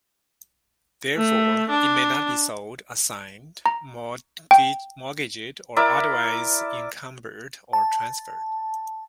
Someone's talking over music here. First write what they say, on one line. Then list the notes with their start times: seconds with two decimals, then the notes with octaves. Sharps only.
Therefore, it may not be sold, assigned, mortgaged, or otherwise encumbered or transferred.
1.16 A3
1.70 D4
3.66 A#5
4.51 G5
5.76 E4 A#4 D5 E5
7.73 A5